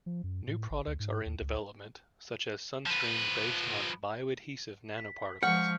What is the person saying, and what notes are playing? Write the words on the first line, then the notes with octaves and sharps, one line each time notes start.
New products are in development such as sunscreens based on bioadhesive nanoparticles.
F3
F#2
A2
G#1
D2
G#2
D#2
C#2
F3 B4
B6
F3 G#3 F#5 C#6 F6 G6